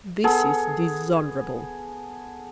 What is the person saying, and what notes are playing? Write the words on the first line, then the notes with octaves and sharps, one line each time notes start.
This is dishonourable!
B3 G#4 A4